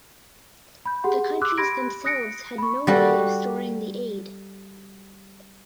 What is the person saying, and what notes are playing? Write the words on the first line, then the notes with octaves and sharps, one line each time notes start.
The countries themselves had no way of storing the aid.
B5 G6
G4 G#4 F#5 C6
C6 D6 E6 F#6
G4 B5 C6 G#6 A#6 D7
D#6 F#6 A#6 C#7 D7
B5 C#6
G3 F#4 A4